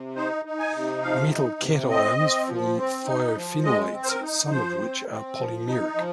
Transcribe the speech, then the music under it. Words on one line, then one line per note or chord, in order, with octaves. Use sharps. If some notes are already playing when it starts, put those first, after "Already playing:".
Metal cations form thiophenolates, some of which are polymeric.
Already playing: C3
D#4 C5
D#4
G#5
C3
F3 F5
D#4
C3
C4 D#5
C4
F3
C4
D#4
F3
G#3 D#5
C4
C5
A#4
D#4
F3 C5
C4
C4
F3
D#4
F3